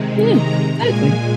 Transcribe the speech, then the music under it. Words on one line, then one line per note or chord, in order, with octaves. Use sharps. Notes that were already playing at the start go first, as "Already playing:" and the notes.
Yeah, exactly.
Already playing: C3 D#3 G#3
A#5
A#2 G#3 G#5